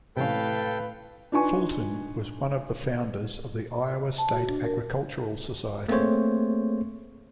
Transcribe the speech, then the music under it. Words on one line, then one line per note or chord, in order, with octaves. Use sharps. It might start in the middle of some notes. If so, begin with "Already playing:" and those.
Fulton was one of the founders of the Iowa State Agricultural Society.
A2 C3 E3 C#4 A4 B4 F5 G5
D4 D#4 F4 B4 G#5 C#6
A5
F#4
D4
A#4
A3 A#3 C4 G#4 C5 C#5